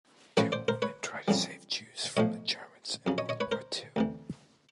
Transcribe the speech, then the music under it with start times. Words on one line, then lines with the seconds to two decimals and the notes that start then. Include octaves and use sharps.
Two women try to save Jews from the Germans in World War Two.
0.37 A1 A2 F3 B4 C#5
0.52 C5 D5
0.68 A#4 C5
0.82 B4 C#5
1.28 F2 C#3 E3 G3
2.17 B1 A2 F3 C#5 D#5
3.07 F2 C#3 F#3
3.18 C#5 D#5
3.29 C#5 D#5
3.40 B4 C#5
3.52 A#4 C5
3.96 D2 C3 E3